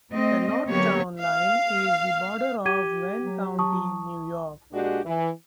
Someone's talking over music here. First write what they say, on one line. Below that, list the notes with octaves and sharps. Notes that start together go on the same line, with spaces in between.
The north town line is the border of Wayne County, New York.
A3 C4 D#5
D3 F#3 A#3 B3 G4 C#5
F5
G4 D6 G#6 D#7
F#3
A5 C#6 D#6
A#2 G#3 D4 F#4 G4
E3